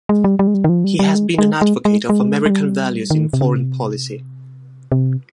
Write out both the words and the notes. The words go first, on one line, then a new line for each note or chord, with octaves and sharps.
He has been an advocate of American values in foreign policy.
G#3
G3
G3
G#3
G3
D#3
F3
G3
G3
G#3
G#3
G#3
G#3
G#3
G#3
G3
D#3
C3
C#3
C3
C3